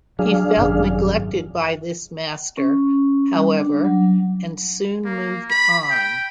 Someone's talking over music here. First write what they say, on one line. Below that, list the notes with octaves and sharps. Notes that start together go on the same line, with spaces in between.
He felt neglected by this master, however, and soon moved on.
F#3 D4 G#4 F5
G#1 F#2 C3
C#4
G3
D4
F#3
A#3
B5
G5